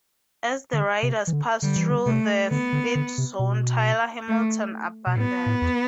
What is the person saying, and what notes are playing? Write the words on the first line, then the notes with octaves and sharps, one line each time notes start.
As the riders passed through the feedzone Tyler Hamilton abandoned.
D3
C3
E3
D3
D3 G3
E3
D3
C3 A3
D3 B3
D3
D3
C3
B2
A3
B2
A2 B3
A2
E2